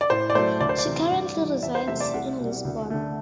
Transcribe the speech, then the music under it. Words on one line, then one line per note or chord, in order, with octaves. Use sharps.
She currently resides in Lisbon.
D5
A2 C5
D5
F#3 A3 C5
D2 D5
C5
D5
C3 E3
G2
E3 G3
E2 E5
C5
C3 F#3 A3 E5
D5
C2 F#5
B2 G3
D2
D3 A3